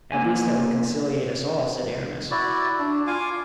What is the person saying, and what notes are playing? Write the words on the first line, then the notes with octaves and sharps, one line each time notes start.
"At least that will conciliate us all," said Aramis.
B2 A#3 G#5
E4 F#4 D5
D4
F4 F5 G#5 D6